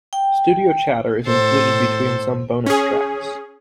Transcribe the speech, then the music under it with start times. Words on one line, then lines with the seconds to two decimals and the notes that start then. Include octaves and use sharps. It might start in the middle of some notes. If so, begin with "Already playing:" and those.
Studio chatter is included between some bonus tracks.
0.13 G5
1.26 A2 A4 C5
2.66 C#4 G#4